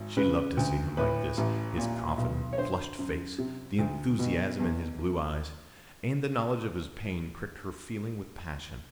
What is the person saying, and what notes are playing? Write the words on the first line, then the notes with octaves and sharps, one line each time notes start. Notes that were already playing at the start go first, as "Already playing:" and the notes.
She loved to see him like this, his confident, flushed face, the enthusiasm in his blue eyes; and the knowledge of his pain pricked her feeling with passion.
Already playing: G#1
C#3 B4
D2
A2 B4
A1
A#2
B1
C#5
D3 C5
F#2
C3
D2
B2
E2